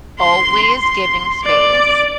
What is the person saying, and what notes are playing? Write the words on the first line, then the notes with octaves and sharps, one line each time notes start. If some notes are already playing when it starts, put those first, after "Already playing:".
always giving space.
C6
C6
D5